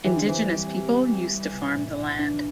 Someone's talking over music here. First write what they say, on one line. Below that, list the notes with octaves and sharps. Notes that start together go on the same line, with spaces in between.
Indigenous people used to farm the land.
E3 G4
D3
E3 C4
G3
C4
G3
G4
G3
C3
A2
B1
D4